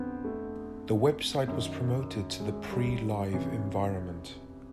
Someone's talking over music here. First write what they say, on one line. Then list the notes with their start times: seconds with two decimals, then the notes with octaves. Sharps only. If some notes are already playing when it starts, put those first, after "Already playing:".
The website was promoted to the pre-live environment.
Already playing: F2 D3 B3 C4
0.24 A3
1.47 F#2 D#3
2.40 G#3
2.71 G3
3.33 F2 C3 E3 C#4